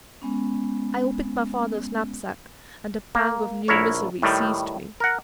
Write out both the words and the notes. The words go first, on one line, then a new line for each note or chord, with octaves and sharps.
I opened my father's knapsack, and a pang of new misery seized me.
G#3 B3 C#4
A#3
A#1 E4 A#4 C#5
A2 D#3 G3
A#4 F#5